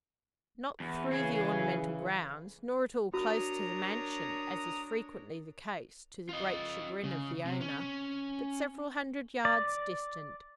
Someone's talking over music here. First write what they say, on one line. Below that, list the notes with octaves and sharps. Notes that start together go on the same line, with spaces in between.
Not through the ornamental grounds, nor at all close to the mansion--as is frequently the case, to the great chagrin of the owner--but several hundred yards distant.
E2
C#3 E3 G#4 C#5
D4 F#4 A#4 C#5 A#5 D#6
F4 D#5
C#3
C3
C#4
D5